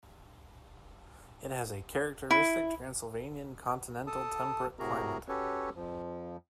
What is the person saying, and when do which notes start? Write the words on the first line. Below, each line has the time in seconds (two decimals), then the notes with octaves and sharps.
It has a characteristic Transylvanian continental temperate climate.
2.31 E4
4.07 A4 A5 D#6
4.79 A2 C3 F#4 G#4 A#4 A#5
5.29 C#4 F#4 G4 A4 B4 C#5
5.75 F2 F3